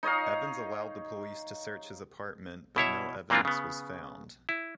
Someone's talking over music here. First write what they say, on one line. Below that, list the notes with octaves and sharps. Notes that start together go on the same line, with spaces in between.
Evans allowed the police to search his apartment but no evidence was found.
D#4 C#5 D#5 F5
B2 E4 C#5 E5
A#2 E3 A#3 C4 D4 F4
C#3 B3
E4